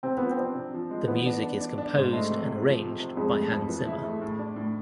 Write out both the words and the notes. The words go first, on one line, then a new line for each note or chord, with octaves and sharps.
The music is composed and arranged by Hans Zimmer.
C3 C4
F3 B3
C4
D4
C3
F3
G#3
E3 B3
D4
D4
D4
D4
G#2
G#3 A3
C3
C3
F3
C3
C3
F2 G#3
A3
F2
E3
E4
A3
A2
D4
A2